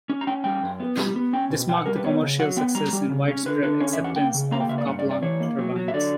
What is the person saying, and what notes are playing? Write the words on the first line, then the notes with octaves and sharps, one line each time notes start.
This marked the commercial success and widespread acceptance of Kaplan turbines.
C#4
A#5
C#4 G5
G3 G5
F#2
B3
G3
B3
C#4 G5
B2
B2 G5
F#5
G3 A#4
B4
B3 C#5
C#3
F#3 F#5
B3 G5
G3 A#5
G3
C#3
C#4
D3 B4
D3 B4
C#4 C#5
E5
E2
F#5
A#3 G5
C#3
A#3 A#5
G5
C#3 E5
D5
G2 F#5
D5
G2
D5
E3 C#5
A#3
F#3
F#3
E5
D3 D5